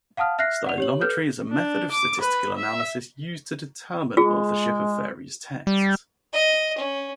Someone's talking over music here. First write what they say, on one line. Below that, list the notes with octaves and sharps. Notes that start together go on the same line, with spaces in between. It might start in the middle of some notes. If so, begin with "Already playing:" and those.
Stylometry is a method of statistical analysis used to determine authorship of various texts.
F5 F#5 A5 D#6 F6
E5 F6 F#6 A#6 C7
D5 F#5 F7
G4 C#5 F#7
A4 B4 F6 G6
D4
D6
B4
E5
G#3 F4 G#4
G3
D#5
C#4